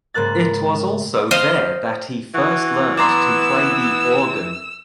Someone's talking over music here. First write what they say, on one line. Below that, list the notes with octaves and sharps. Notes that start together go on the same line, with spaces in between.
It was also there that he first learned to play the organ.
G#2 C#3 A#3 F#6 A6
C5 D#5 F5
E3 F#4
B3 D5 A#5 C6 E6